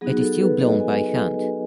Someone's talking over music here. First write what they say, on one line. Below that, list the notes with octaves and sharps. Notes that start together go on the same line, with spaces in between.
It is still blown by hand.
F#3 B3 D#4 F#4 G#4
A4
B4
D#5
G#5